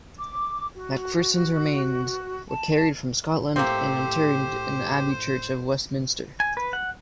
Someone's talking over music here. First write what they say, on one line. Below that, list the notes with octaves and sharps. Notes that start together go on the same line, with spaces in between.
Macpherson's remains were carried from Scotland and interred in the Abbey Church of Westminster.
D6
F#4
A5
A2 A#3 C4 G4 C5
G#5
B4
F#5